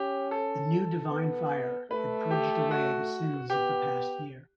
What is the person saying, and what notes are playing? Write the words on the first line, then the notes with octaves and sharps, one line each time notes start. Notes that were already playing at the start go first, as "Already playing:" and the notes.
The new divine fire had purged away the sins of the past year.
Already playing: C#4 G4
A4
B3
A3 B4
G4
F#4
B3 G4